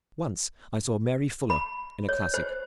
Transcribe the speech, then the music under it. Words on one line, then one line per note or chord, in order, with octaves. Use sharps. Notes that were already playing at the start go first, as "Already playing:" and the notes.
Once I saw Mary Fuller in a classic.
B5
C#5
C5